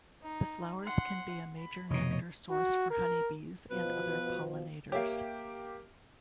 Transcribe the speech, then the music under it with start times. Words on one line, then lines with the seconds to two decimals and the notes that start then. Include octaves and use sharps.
The flowers can be a major nectar source for honeybees and other pollinators.
0.22 D#4
0.84 F#5 C6
1.58 B5
1.90 F1 B2 C#5 D#5
2.50 F#4
2.91 A#4
3.71 B2 F3 B4
4.92 A#3 G4 C#5 E5 F5